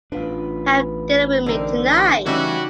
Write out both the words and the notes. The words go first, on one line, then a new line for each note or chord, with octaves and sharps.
Have dinner with me tonight.
A1 B3 D4 F4 B4
D3 C4 D#4 G4 A#4
C#3 E3 G3 A3 C#4 D#4 F#4 D5